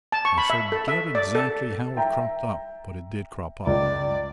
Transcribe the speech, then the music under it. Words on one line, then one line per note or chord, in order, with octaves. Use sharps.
I forget exactly how it cropped up, but it did crop up.
A5
C#6
B5
E5
A4
E5
D5
A4
E5 G5 A#5
C#2 D5